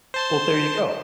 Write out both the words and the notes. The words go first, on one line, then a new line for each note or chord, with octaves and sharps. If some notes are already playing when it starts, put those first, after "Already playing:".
Well, there you go.
C5 A5 C6